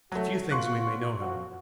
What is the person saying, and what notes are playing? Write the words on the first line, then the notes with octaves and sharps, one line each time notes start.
A few things we may know, however.
C2 F#3 A3 F#4
B3 F4 C6 C#6 F#6
F3 F#4